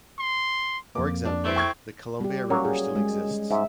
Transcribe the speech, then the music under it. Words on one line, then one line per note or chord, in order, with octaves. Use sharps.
For example, the Columbia River still exists.
C6
F2 A#3 D6
D4
A3 C4 E4
G5 C#6 G#6
G3 G4
F#3 A#3 C#4 C#5
G#4
G#3
G#2 E5